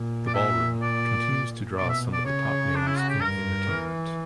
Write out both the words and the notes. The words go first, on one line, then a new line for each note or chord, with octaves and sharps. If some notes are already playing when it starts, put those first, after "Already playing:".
The Ballroom continues to draw some of the top names in entertainment.
Already playing: A#2
D5
E5
D5
B2 D5
E5
D5
C#3 C#5
D4
E4
F#4
G4
G2 A#4
E3